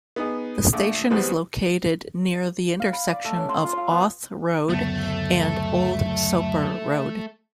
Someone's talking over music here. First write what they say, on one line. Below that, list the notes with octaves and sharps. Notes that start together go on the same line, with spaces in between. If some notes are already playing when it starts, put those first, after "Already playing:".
The station is located near the intersection of Auth Road and Old Soper Road.
B3 D#4 G#4
A#1 A3 D6
E2 G3 G#3 B3 C4
F5
B5
D5
A3
C#4
C6
F4
F5
B3
F#1 D2 F#3 A3 B3